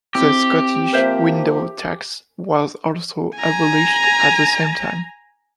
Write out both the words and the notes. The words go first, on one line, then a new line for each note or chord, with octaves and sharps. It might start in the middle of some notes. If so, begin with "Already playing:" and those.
The Scottish window tax was also abolished at the same time.
C4 E4 G4
F3 A#3 A#4 C5 E5
G#5 A#5